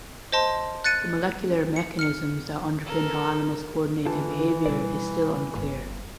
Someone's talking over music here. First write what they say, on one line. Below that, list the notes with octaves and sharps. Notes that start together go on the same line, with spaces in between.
The molecular mechanisms that underpin how animals coordinate their behaviour is still unclear.
C5 D#5 A5 C6
F#6 A6 C#7 D#7
C#7
F6 C#7
A4 A#4
D3 E3 F4 A5
B2 G3 E4 D5
G1